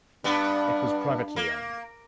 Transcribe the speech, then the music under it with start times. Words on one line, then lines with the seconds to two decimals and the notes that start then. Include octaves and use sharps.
It was privately owned.
0.24 G2 B3 D4
1.36 A#3